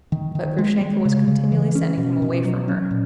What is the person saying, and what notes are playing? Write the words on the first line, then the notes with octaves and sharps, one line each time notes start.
But Grushenka was continually sending him away from her.
D#3
D#3
G#3
G#3
C#3
C#3
E3
C#4
B2
B2
F#3
C#4
A#2